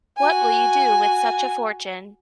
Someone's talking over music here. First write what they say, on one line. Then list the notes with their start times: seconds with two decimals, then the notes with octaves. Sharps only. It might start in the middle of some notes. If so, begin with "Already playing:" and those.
What will you do with such a fortune?
0.18 F#4 G#5